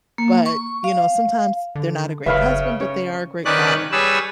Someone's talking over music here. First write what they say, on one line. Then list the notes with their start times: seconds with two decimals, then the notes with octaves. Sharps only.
but, you know, sometimes they're not a great husband, but they are a great father,
0.18 A#3
0.46 C#6
0.84 F5
1.75 D3
2.26 F#1 C#3 B4 E5 F5 B5
2.80 C#4 C#5
3.45 D#3 C#4 B4 D5 F#6
3.92 G3 G#4 B4 C#5 E6